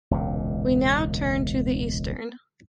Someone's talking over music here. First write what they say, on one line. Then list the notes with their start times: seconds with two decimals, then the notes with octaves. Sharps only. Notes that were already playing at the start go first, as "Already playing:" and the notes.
We now turn to the eastern.
0.11 E1 C#2 A#2